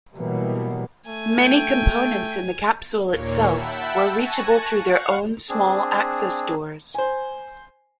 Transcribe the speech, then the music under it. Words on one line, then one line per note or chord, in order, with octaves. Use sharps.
Many components in the capsule itself were reachable through their own small access doors.
B2 E3 F#3 G3 A#3 B3
A3 G#5
G5
D#2 A#2 A#3 C#5
E5 F#5 G5 A5 B5 E6
G#5 A5 C#6 F#6 A#6
F5 F#5 C#6
C4 D4 G#4
C5 G#5